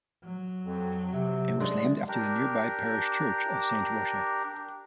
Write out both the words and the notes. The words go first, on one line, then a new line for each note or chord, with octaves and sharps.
It was named after the nearby parish church of Saint Roche.
F#3
F2
C3
G#3 D4 D5
D4 G4 A#4